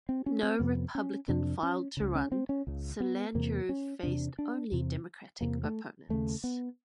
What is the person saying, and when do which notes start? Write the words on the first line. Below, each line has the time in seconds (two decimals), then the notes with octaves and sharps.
No Republican filed to run, so Landrieu faced only Democratic opponents.
0.09 C4
0.26 C#4
0.43 C4
0.60 F2 C3 B3
0.95 C#4
1.28 F2 C3 D4
1.63 C#4
1.97 C#2 C#3
2.15 C#4
2.32 C4
2.49 C#4
2.67 C#2 C#3
3.00 B3
3.35 E2 C3 A#3
3.69 C#4
4.03 E2 C3 D4
4.39 D4
4.72 E2 C3
5.41 E2 C3 A#3
5.63 A3
6.09 D#2 C#3 A3
6.44 B3